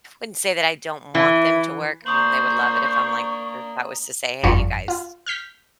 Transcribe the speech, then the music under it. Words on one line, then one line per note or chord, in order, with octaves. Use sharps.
wouldn't say that I don't want them to work. I mean, they would love it if I'm like, er if I was to say, "Hey, you guys,
E3 E4
A#3 D4 C5 A#5 C#6 D#6 F#7
G1 F2 D4 F4 C#6
F4
F6 G6 B6